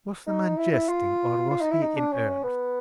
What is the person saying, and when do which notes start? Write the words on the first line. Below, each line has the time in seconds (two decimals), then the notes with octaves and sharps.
Was the man jesting, or was he in earnest?
0.27 D#4
0.57 E4
0.72 E4
0.89 F4
1.51 F4
1.61 D#4
1.71 E4
1.82 D#4
1.97 D4
2.13 C#4
2.44 B3